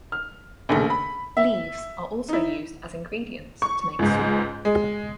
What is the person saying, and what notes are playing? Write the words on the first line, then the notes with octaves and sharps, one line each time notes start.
Leaves are also used as ingredients to make soup.
F6
A#1 D#2 C#3 A3
B5
E5
D#4 E4
C#6
C#2 G#2
G#3